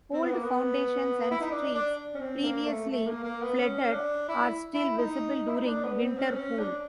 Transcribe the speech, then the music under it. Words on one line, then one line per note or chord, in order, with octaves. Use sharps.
Old foundations and streets, previously flooded, are still visible during winter pool.
C4
B3
A#3
B3
E4
D#4
D4
D4
C#4
C4
A#3
A3
A3
A#3
A#3
B3
C#4
D4
E4
E4
D#4
E4
D#4
D4
B3
C4
C#4
C4
C#4
D4